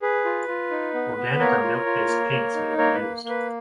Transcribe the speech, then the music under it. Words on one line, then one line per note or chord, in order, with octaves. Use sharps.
Organic or milk-based paints may be used.
G#4 B4
F4
F4
D#4
B3
B3
A#3 A#4 C#5
F4
F4
A#3
A#3
D#4
A#3 A#4 C#5
B4
A#3
A#3
B4